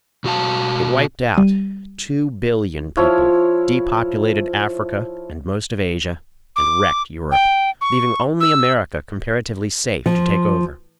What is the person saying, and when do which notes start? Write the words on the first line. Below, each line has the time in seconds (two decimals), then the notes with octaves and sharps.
It wiped out two billion people, depopulated Africa and most of Asia, and wrecked Europe, leaving only America comparatively safe to take over.
0.24 B2 F#4 F5 A5
1.34 G3 D#7
2.97 F3 E4 C#5 F5
6.56 D6
7.32 G5
7.81 C#6
8.40 E6
10.06 F3